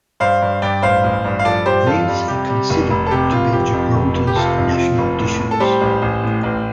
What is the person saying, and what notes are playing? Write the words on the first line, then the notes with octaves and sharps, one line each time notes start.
These are considered to be Gibraltar's national dishes.
G2 C5 F5
G2
G2 D5 G5
A1 C5 F5
A1
G2
F5
F3 A4 D5
G2 G4 C5
F2 F4 A4
G3
C3 G4
G3
F1
F1
A4
C3 G4
F1 F4
F3 G4
F2
F1
F1
G4
C3 F4 A4
F2
F3
F1
A2
A2
A4
G3 G4 C5
A1
A1
A2
A1